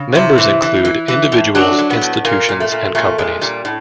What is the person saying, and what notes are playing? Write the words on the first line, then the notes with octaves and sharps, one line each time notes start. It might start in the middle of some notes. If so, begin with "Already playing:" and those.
Members include individuals, institutions and companies.
Already playing: C#3
C3 E4
E3
E3
E3
E3
A2
F#3 D4
F#3
B3
A2
A#2 A#3
A#2
A3
A#2
A#2 A3
A#2 G#3
A#2 G3
A2